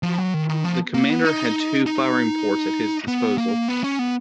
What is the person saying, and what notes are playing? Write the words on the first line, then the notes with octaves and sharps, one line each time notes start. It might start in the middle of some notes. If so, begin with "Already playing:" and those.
The commander had two firing ports at his disposal.
F3
F#3
D#3
D#3
F3
A#3
B3
D#4
D#4
B3
A#3
B3
C#4
B3